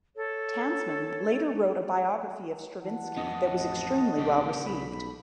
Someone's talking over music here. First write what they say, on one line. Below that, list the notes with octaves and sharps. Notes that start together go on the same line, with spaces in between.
Tansman later wrote a biography of Stravinsky that was extremely well received.
A4 C#5
E3 F#5 A5
F2 B3 D#5
A1
B1 C#3 G4
B1 B5